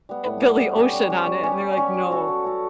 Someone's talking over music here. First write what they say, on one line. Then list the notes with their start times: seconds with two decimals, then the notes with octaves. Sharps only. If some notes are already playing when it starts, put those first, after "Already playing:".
Billy Ocean on it, and they're, like, "No,"
0.09 G3 B3
0.25 A2
0.42 G3 B3
0.59 G3
0.76 C#4 G4
0.93 G3
1.10 C#4 G4
1.26 G3
1.44 C#4 G4
1.60 G3
1.77 C#4 G4
1.94 F#3
2.11 C#4 F#4 A4
2.28 F#3
2.44 C#4 F#4 A4